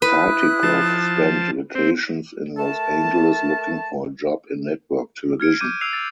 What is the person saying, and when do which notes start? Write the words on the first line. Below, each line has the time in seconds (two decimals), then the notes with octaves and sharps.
Tartikoff spent vacations in Los Angeles looking for a job in network television.
0.02 E4 B4 D#6 F#6
0.63 F3 A5
1.75 C4 C5
2.57 A3 A#4 A5
5.40 F6 G#6 C#7 D7
5.60 D6 F#6 G6 D#7
5.81 E6 F#6 C7 D#7 F7
5.93 E6 A6